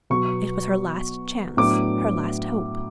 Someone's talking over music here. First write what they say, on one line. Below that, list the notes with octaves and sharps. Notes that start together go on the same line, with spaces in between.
It was her last chance, her last hope.
B2 F#3 B3 C#6
A2 F#3 B3 D4 D6